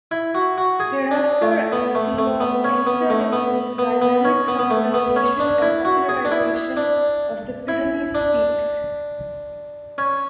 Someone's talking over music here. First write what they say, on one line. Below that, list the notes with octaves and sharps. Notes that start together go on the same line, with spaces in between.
Thereafter Aneto entered into the dynamics of dissemination and popularization of the Pyrenees peaks.
E4
F#4
F#4
G#4
D4
A3
B3
A3
A3
B3
C#4
B3
A3
B3
B3
B3
C#4
B3
B3
A3
B3
C#4
D4
E4
F#4
G#4
D4
E4
D4
E4
D4
C#4